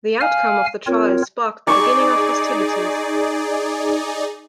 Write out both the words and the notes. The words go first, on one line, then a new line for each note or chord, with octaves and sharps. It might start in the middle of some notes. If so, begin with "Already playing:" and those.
The outcome of the trial sparked the beginning of hostilities.
F5 G#5 F6
C4 F4 A#4 C#5
D#4 G#4 D5 C#6 D6